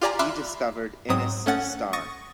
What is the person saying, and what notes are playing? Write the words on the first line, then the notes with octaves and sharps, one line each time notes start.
He discovered Innes star.
F4 G4 D5 G#5 A#5
E5 B5 C6 D6 F6 F#6
G#2 F#3 C4 D#6
A3 C#4 F#5 A6
C#6 D#6 A6 A#6